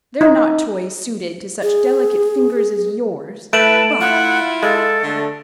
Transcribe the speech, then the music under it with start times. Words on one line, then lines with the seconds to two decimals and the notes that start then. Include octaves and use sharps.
They're not toys suited to such delicate fingers as yours! Bah!
0.21 D#4
1.63 G#4
3.53 A3 E4 B4 A5 D7 E7 F#7
4.00 E4 F4 F#5
4.63 G#3 A4
5.02 D3 A3